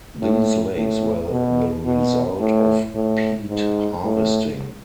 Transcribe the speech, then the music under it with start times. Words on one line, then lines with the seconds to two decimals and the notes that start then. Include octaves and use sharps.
These lakes were the result of peat harvesting.
0.22 A2
0.76 A2
1.31 B2
1.86 B2
2.40 A2
2.95 A2
3.49 G#2
4.04 A2